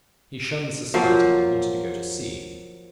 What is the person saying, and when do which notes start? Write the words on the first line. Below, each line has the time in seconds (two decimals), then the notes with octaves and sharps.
He shunned society and wanted to go to sea.
0.94 F3 F#3 A#3